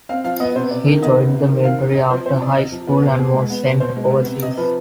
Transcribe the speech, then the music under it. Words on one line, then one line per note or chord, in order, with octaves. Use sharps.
He joined the military after high school and was sent overseas.
C4 F5
F3 F5
B3 D#5
C3 C5
C3 D5
D#3
B3 D#5
C3
C3
D#3
C4 F5
C3
C3 D#5
F3 C5
C4 C5
C3 D5
C3 D#5
F3
B3 B4
B2
B2 G#4
G#3
B3
B2
B2 C5
G#3
B3
C3
C3 D#5
F3 B4